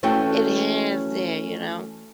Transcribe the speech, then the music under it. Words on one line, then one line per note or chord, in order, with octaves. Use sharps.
It has there, you know?
E3 A3 C#4 F#4 A4 G5